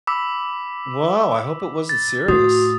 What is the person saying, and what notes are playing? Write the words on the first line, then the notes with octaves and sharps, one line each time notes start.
Wow, I hope it wasn't serious.
B5 D6 E6 B6
A6
A2 F#4 D#6